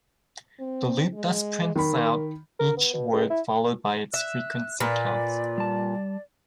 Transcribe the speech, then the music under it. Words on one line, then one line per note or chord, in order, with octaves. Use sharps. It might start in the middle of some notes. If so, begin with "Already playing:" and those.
The loop thus prints out each word followed by its frequency count.
C4
G#3
D#3 A#4 B5
A#4
B3
B2
C#2
E4
E5 F#6
A#2 B4 D5
G3 A5